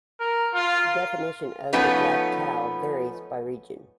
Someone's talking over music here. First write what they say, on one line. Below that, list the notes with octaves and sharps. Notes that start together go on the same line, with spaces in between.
The definition of a black cow varies by region.
A#4
F4
F3 A3 B3 C#4 D#4 B4